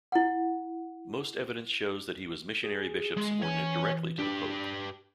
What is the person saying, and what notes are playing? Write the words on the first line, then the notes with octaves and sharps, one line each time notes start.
Most evidence shows that he was missionary bishop subordinate directly to the Pope.
E4 F#5
G#4
G#3
E3 C#5 G#5
D4 G4 B4